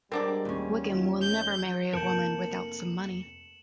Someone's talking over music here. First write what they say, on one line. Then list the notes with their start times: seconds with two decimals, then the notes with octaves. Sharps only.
Wickham will never marry a woman without some money.
0.12 G3 G#3 C4 D4 A#4 D5 F#5 G5
0.45 D#2 C#4
0.84 A#2 D#3 F4
1.21 G#3 G6
1.93 F1 A#3 A#4 A5 G6 C#7 E7 F#7